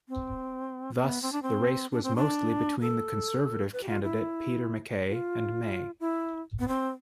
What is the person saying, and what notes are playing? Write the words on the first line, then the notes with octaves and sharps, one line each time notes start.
Thus, the race was mostly between Conservative candidate Peter MacKay and May.
C4
B3
C4
D4
C4
D4
C4
D4
A4
B4
G4
F4
E4
F4
E4
B3
C4